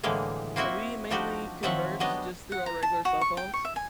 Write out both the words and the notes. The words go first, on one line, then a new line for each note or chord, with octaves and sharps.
we mainly converse just through our regular cell phones.
A2 D3 E3 G3 G#3 A#3
A#3 C4 E4 F#4 D#5 E5
F3 G3 D4 D#4 F#4 G4
D#3 F3 F#3 C4 E5 F#5
F#3 G3 B3 D4 D#5
F#5
A#5
A5
F#4
C#6
G5
C#6
E5
G#5